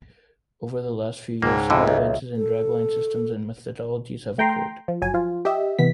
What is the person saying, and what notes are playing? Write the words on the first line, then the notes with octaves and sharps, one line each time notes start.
Over the last few years, some advances in dragline systems and methodologies have occurred.
C#2 G#2 A#3 A4 C#5
F2 D3 F4 D#5 E5
B1
A4
A3 G5 A#5 C6
F3
G1 F#3 G#5
F3 F4
G4 D#5 E5
C3 E3 B3 B6